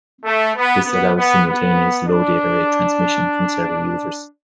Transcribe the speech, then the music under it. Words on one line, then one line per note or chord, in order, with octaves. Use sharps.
This allows simultaneous low-data-rate transmission from several users.
A3
B3
B3
B3
B3
D4